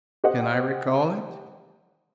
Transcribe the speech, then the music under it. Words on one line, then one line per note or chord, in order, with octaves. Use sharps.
Can I recall it?
G4 C5 D#5 F#5